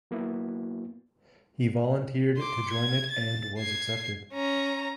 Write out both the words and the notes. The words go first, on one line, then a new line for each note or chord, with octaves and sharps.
He volunteered to join it and was accepted.
F#3 A#3 B3 E4 F#4
C6 D6
G#6
A6
G#6 C7
C#4 A#5